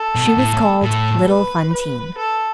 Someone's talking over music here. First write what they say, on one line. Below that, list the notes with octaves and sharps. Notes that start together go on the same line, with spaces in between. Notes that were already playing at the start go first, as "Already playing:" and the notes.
She was called little Fantine.
Already playing: A4
B2
A2
A2 A4
B4
B4
A4